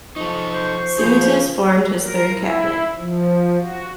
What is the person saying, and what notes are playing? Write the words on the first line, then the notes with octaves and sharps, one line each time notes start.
Simitis formed his third cabinet.
F3 D#4 A4 C#6
C5
C#3 F3 G#4
A#4
E4
F3
F#4